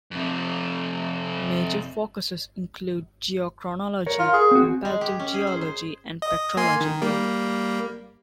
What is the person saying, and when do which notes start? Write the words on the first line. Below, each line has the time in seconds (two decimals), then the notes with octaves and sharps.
Major focuses include geochronology, comparative geology, and petrology.
0.11 F2 C3
4.06 A#4 C#5
4.19 F4
4.33 G#4
4.51 C4 F#4
4.85 G#3
5.01 G4
5.19 C#4
5.34 G#4
5.47 C5
5.61 C5
6.22 D#5
6.57 A#3 G#5 C6
6.81 D#3
7.02 G3 A#3